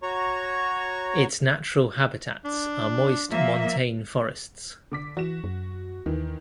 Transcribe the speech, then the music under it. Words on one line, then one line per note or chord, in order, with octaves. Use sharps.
Its natural habitats are moist montane forests.
F#4 C#5 A#5 C#6
D4
F3 A#3 E5
D3 D6 B6
E3 F#4 E7
F#2
D#2 D#3 E3